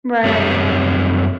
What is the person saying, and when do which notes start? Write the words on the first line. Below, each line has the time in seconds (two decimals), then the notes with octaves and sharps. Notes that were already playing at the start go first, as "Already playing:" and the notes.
Right, right.
0.24 F#2 G3 C4 G4 C#5 E5